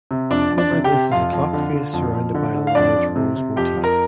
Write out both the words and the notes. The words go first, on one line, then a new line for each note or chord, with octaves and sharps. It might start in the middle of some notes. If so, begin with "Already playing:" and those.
Over this is a clock face surrounded by a large rose motif.
C3
F2 D4 D5
F2
D4 D5
C3
G4 G5
C3
F2 F4 F5
F2
D3
D3
F2
F2
D3
D3
F5
F2 D4 D5
F2
C3
C3
F2 G4 G5
F2
A#4 A#5